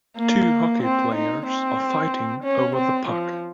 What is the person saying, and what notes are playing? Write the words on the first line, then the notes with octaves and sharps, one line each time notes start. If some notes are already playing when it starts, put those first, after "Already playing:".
Two Hockey players are fighting over the puck.
A#3
C4
D#4
C4
C#4
C4
F3